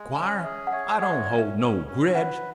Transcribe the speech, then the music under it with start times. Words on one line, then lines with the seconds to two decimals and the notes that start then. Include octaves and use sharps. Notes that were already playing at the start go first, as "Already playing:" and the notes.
Squire, I don't hold no gredge.
Already playing: G#3
0.15 C#4 G#5
0.44 G#4 E5
0.67 F#5
0.73 C#5 E5
1.01 G#3 F#5
1.13 E5
1.26 C#4 D5
1.38 E5
1.59 C#4
1.87 C#4
2.15 B4 F#5